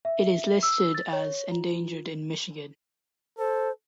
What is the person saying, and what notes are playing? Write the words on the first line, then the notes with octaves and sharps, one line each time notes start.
It is listed as endangered in Michigan.
E5
E6
A6
C#5
F4
A4 C5